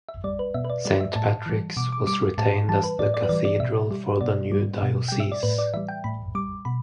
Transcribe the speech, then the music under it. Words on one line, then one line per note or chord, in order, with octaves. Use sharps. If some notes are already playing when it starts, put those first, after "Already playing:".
Saint Patrick's was retained as the cathedral for the new diocese.
E5
G3 D5
B4
B2 E5
B4
D5
G3 D5
E5
A2 A5
E3 G3
B2 D6
D6
G3 D6
A2 A5
E3 G3 A5
B4
A2 D5
D5
B4
E3 G3 D5
D5
B2 E5
G3
B2 D5
G3
B2
G3 G5
E5
D5
A2 B4
D5
E3 G3 E5
G5
A2 B5
G3 D6
B2 B5